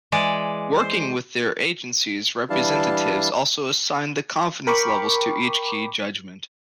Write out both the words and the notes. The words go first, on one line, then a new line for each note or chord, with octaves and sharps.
Working with their agencies, representatives also assign the confidence levels to each key judgment.
E3 G#3 D5
C5
E3 G3 D4 E4 F5 A5
A#4 G5 B5 C#6 D6